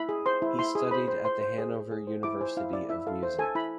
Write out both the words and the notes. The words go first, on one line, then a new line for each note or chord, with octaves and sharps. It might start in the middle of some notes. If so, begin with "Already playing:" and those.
He studied at the Hanover University of Music.
Already playing: E4 B5
G#4
C5 C6
E4
E4 C6
G#4
C5 B5
C5
C5 C6
C5
G#4
G#4
G#4
C5
E4 D6
C5 G#5
E4 F5
E4 D5
E4 E5
A4 F5
C5
A4 G#5
E4 B5